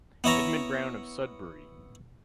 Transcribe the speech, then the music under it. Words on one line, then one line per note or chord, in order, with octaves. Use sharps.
Edmund Brown of Sudbury.
B3 E4 C#5 A#5